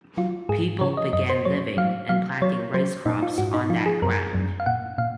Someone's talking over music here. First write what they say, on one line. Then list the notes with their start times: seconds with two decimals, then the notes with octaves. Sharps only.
People began living and planting rice crops on that ground.
0.17 F#3 F4
0.49 G#2 G#4
0.81 C#3 C#5
0.97 D#5
1.13 F#2 D#5
1.29 C5
1.45 F#3 C#5
1.77 F#3 F5
2.09 F#3 F5
2.42 F#3 C#5
2.74 F#3 C5
3.06 A#2 D#4
3.22 F4
3.38 G#2 F#4
3.54 D#4
3.70 F3 F4
3.86 G#4
4.02 F#2 A#4
4.34 F#2
4.60 F5
4.66 A#2 F#5
4.98 A#2 F5